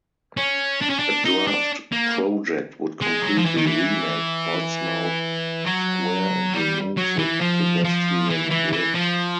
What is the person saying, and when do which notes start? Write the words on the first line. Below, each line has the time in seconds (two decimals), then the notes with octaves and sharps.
A draft project would completely remake Portsmouth Square and remove the pedestrian bridge.
0.37 C#4
0.81 D4
0.90 C#4
0.99 D4
1.25 D#4
1.47 D4
1.92 A#3
3.02 G#3
3.23 F#3
3.38 F3
3.46 E3
3.58 D#3
3.67 E3
5.66 F#3
6.53 G3
6.97 F#3
7.18 E3
7.41 F3
7.84 F3
8.29 E3
8.50 E3
8.72 E3
8.95 F3